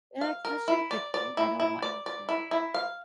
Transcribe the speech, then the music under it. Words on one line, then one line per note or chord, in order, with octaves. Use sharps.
Yeah, especially with a kid. And I don't want him to
F5
A#4
E4
D5
D5
E4
E4
D5
D5
E4
E4
F5